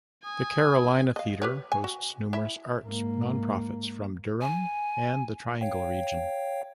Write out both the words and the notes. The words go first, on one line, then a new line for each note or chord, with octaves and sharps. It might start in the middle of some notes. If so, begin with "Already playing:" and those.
The Carolina Theatre hosts numerous arts nonprofits from Durham and the Triangle Region.
G#5 D#6
D#5 F5
G4 B4 C#5
G#5
F#4
E4 E5
G#2 A#3
G#5
C#5 F5 G5